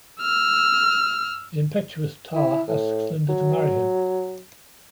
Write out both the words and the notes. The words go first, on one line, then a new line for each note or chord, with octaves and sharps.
The impetuous Ta asks Linda to marry him.
E6 F6
E4
A2
F#3